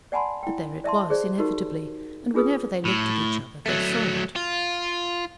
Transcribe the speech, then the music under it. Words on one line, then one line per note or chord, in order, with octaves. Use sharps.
But there it was, inevitably, and whenever they looked at each other they saw it.
D5 F#5 G#5 A5 B5 C6
E4 G5
D5 E5 A5 C6
G#4 C5 D5
D#4 F#4 G4 A#4
D4 F4 G#4 B4 D#6
A2
F#3 A3
F4